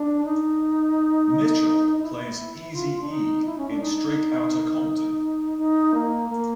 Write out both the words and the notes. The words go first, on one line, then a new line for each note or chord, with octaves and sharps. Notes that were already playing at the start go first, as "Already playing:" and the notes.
Mitchell plays Eazy-E in Straight Outta Compton.
Already playing: D4
D#4
D#4
E4
F4
D4
D#4
E4
C#4
D4
D#4
D#4
A#3
A#3